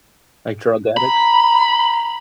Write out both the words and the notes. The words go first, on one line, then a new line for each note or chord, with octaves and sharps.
Like, drug addicts,
A#5 B5